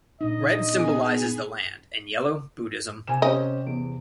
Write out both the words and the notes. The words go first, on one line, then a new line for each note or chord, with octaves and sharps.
Red symbolises the land and yellow, Buddhism.
A#2 D4 D#4 D#5
B3 G#4 G#5
C3 G#5 E7
C4 C#4 G4 D#5
E2 D7